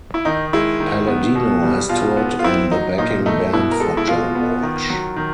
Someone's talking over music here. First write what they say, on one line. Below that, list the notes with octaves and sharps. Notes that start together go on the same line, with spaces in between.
Palladino has toured in the backing band for Joe Walsh.
E4
D#3 D#4
G#3 E4
D#3
B3
B2
G3
B2 F4
B3
F4
C4 E4
F#3 D#4
A#2 D#4
A3 D#4
B2 E4
A#4
G#3 A4
E4
B2 F4
B3
D#3
F#3
D#3